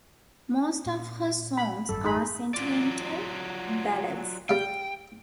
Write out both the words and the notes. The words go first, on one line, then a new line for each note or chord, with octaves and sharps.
Most of her songs are sentimental ballads.
A#2
B5
G#1 F#2 G3 A4
D#4 G#4 B5
F#3 F4 D5
G3 F5 G5